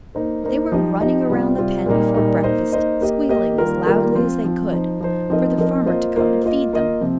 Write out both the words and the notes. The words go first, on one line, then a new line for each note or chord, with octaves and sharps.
They were running around the pen before breakfast, squealing as loudly as they could, for the farmer to come and feed them.
A#3 D#4 C5
A#3 D#4 C5
F3 D#4 G4 D#5
F3 D#4 G4 D#5
C3 G3 C4 F4
C3 G3 C4 F4
A#2 G3 A#3 D#4
A#2 G3 A#3 D#4
A#3 D#4 C5 D#5
A#3 D#4 C5 D#5
A#3 G4 D#5
A#3 G4 D#5
D#3 G3 A#3 F4 A#4
D#3 G3 A#3 F4 A#4
F3 C4 F4
F3 C4 F4
F3 D#4 C5
F3 D#4 C5
F3 C4 D#4 A#4 D#5
F3 C4 D#4 A#4 D#5
A#3 F4 C5 D#5
A#3 F4 C5 D#5
A#3 F4 D#5
A#3 F4 D#5
C3 F3 C4